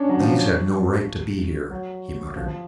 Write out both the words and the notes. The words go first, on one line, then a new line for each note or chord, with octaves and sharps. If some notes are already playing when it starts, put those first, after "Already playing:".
"These have no right to be here," he muttered.
Already playing: C#4 D4
F#3
F3
F3
F#3
F3
F3